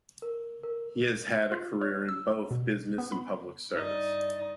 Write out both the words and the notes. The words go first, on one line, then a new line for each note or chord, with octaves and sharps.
He has had a career in both business and public service.
A#4
A#4
F4
C#5
E6
B2
B3
B5
G2 D#4 D5